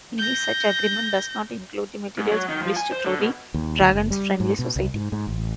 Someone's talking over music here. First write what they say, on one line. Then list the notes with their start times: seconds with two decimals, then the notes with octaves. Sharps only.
Any such agreement does not include the materials published through "The Dragons Friendly Society".
0.18 G6 A#6
2.18 G#2
2.31 F#3
2.49 D#3
2.63 F3
2.77 G#5
2.92 C5
3.06 D3
3.19 B2
3.54 D#2
3.81 D2
3.93 F#1
4.11 G3
4.40 G#2
4.59 B2
4.76 C2
4.94 G#2
5.12 G#2
5.27 A1